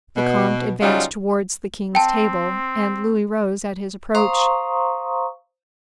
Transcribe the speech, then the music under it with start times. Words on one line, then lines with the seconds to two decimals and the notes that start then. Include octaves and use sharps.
The comte advanced towards the king's table, and Louis rose at his approach.
0.17 B2
0.81 C#3 F#3 G3 C#4 D#4 F4
1.95 C4 G5 A5
4.15 C5 F5 A#5 C6 C#6 D#6